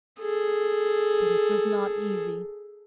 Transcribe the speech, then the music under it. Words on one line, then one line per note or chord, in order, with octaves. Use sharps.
But it was not easy.
G#4 A4